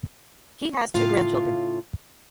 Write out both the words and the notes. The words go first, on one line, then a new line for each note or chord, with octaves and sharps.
He has two grandchildren.
A2 C#3 F4 F5